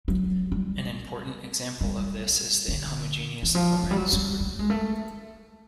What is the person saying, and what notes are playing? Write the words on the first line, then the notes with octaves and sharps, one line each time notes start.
An important example of this is the inhomogeneous Lorentz group.
F#3
G3
G3
D3
E3
F3
F#3
G3
F#3
G3
A3
G#3
A3